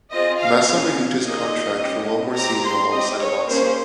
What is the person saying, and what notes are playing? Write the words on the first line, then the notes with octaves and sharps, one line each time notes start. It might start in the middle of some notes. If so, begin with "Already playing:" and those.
Massa renewed his contract for one more season alongside Alonso.
C4 F4 G#4 D#5
F5
A#3 C#4 G#4 F5
A#3 D#4 G#4 D#5
C#4 G4
C4 G4 A#5
C6
C4 G4 D#5
C#5
A#3 C#4 G#4 C5